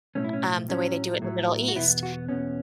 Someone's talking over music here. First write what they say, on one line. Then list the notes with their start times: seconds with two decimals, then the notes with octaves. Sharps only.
Um, the way they do it in the Middle East,
0.15 B1 A2 A3 C#4
0.24 E4
0.33 C#4
0.69 A2 F#3 A3 C#4
1.22 A2 F#3 A3
1.68 F#4
1.76 E2 B2 B3 E4
2.03 F#4
2.28 E2 B2 B3 C#4